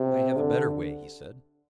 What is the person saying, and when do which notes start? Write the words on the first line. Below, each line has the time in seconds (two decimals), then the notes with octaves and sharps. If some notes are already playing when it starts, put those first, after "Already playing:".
"I have a better way," he said.
Already playing: C3
0.36 D3